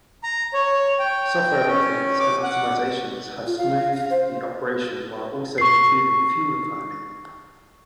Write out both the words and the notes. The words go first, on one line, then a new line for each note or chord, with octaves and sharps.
Software updates and optimisations have smoothed the operation while also improving fuel economy.
A#5
C#5
G5
C#4
D6
F#5
F4
F5
F5
F5
C5
C#6 C7